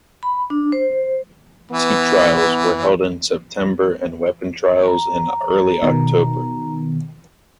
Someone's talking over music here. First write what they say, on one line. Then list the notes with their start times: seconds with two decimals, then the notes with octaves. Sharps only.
Sea trials were held in September and weapons trials in early October.
0.23 B5
0.50 D4
0.72 C5
1.71 E3 B3
4.88 A#5
5.82 B2 D#3